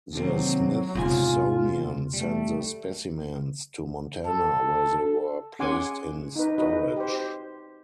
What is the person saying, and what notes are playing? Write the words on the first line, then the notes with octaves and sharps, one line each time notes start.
The Smithsonian sent the specimens to Montana, where they were placed in storage.
D#2 C3 F#3 C4
E2 G#2 C3 F4 G#5
G3 A3
A4
C#4 G#4 F#5 G#5 C6 D6
D#4 B4
D#4 F#4 B4 D#5
G4 C5